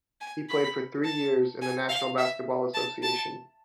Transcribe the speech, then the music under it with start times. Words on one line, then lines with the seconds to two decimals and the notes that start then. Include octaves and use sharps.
He played for three years in the National Basketball Association.
0.21 G#5
0.50 B5
1.05 A5
1.62 G#5
1.89 F5
2.18 E5
2.74 A5
3.03 A5